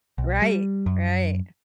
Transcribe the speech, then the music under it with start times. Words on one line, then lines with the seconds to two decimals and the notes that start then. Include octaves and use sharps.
Right, right.
0.18 B1
0.42 G3
0.86 F#2